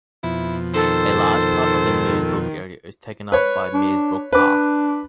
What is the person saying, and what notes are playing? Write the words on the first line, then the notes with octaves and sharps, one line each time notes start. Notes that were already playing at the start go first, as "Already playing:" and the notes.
A large part of the Meersbrook area is taken up by Meersbrook Park.
F2 B2 F3 E4
D#3 A4 C5
B4 C#5
D4
D4 B4 D6